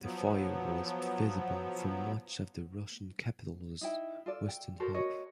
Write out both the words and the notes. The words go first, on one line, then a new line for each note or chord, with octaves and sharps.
The fire was visible from much of the Russian capital's western half.
F3 F#3 B3
D#4 E4 G5
F4 A4 D5
G5
F#4 A4 A#4 C5
F#4 A#4 C#5 D#5